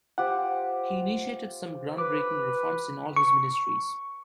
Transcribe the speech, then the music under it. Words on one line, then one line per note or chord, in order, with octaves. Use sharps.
He initiated some ground breaking reforms in all his ministries.
F4 G4 C5 F#5
B4 D6
C#6